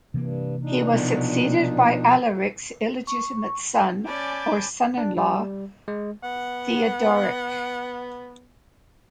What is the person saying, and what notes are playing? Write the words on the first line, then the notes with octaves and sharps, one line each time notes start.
He was succeeded by Alaric's illegitimate son or son in law Theodoric.
G2 C3 E3 A#3
A#2 D4 D#4
B2 F3
C#6
C#4 D5 G#5 A5 B5 D6 G6 A6
D4
G3
G#3
B3 F#5